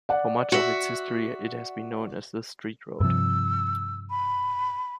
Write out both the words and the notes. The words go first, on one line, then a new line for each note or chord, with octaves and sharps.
For much of its history it has been known as "the Street road".
D5 F#5
F#4 E5
G2 C3 F3 E6
B5